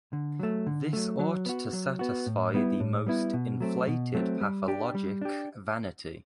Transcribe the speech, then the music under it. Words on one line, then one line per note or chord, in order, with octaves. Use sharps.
This ought to satisfy the most inflated pathologic vanity.
D3
F#3 A3
D3
F#3 A3
F#3
B3 F#4
F#3
B3 F#4
A2
G3 B3 E4
A2
G3 B3 E4
B2
F#3 A3 C4
B2
F#3 A3 C4
G3
D4 G4
G3
D4 G4